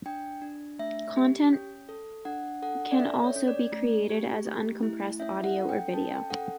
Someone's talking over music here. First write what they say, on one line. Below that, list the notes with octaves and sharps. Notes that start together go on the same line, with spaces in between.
Content can also be created as uncompressed audio or video.
D4 G5
D4
A3 E5
G4
C#4
A4
D4 F#5
A4 F#5
D5
C#4 E5
C#5
C#4
D5
A3
G4
A3
E4
C#4 E5
F#5
A4
G5
C#4 A5
G5
A4 F#5